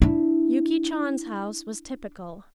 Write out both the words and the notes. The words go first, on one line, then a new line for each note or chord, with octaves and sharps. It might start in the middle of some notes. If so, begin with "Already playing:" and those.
Yuki Chan's house was typical.
D4 E4